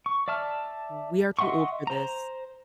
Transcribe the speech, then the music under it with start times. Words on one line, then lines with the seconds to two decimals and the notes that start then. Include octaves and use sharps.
We are too old for this
0.06 C#6
0.28 D5 E5 A5 F6
1.39 D#5 E5 F#5 C6 C#6
1.87 C5 A#5